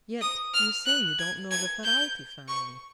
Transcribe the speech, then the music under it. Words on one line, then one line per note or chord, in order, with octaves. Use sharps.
"Yet you say you don't know the Ferralti family."
D#6
F6
F#6
G#6
G#6
G6
C#6